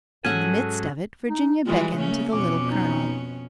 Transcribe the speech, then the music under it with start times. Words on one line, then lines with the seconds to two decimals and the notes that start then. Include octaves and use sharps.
In the midst of it Virginia beckoned to the Little Colonel.
0.25 G#2 F#3 C#4 A4 E5 F#5 G#5
1.28 D#4
1.66 E3 G3 G#3 F4
1.97 C#3 A3 A#3 C#4
2.32 F2 B2 C#4 D6
2.71 D#4